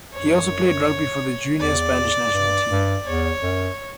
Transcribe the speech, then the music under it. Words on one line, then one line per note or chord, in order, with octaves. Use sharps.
He also played rugby for the junior Spanish National Team.
F#2 C#5
E2 D5
G2
G2
E2 C#5
F#2